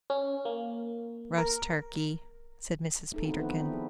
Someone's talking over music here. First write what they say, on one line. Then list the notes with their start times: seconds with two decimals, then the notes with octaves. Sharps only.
"Roast turkey," said Mrs. Peterkin.
0.10 C#4
0.45 A#3
1.38 A#4
3.12 A3 D#4 A4
3.24 B3 C4 D#4 E4 F#4 A4
3.38 D#3 F3 B3 D#4 F#4 B4
3.57 B3 D4 E4
3.72 F3 G#4